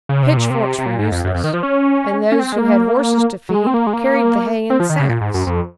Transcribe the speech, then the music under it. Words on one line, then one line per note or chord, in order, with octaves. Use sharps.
Pitchforks were useless, and those who had horses to feed carried the hay in sacks.
C#3
C3
A#2
C3
C3
A#2
G#2
F2
F#2
F2
D#3
F3
C#4
C#4
C4
G#3
A#3
F#3
G#3
C4
A#3
G#3
A#3
C4
F3
D#3
C#3
A#2
G#2
F#2
F2